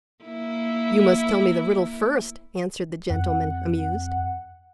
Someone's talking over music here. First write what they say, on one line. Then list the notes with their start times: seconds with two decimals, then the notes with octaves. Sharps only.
"You must tell me the riddle first," answered the gentleman, amused.
0.24 A#3 E4
3.10 F2 F#5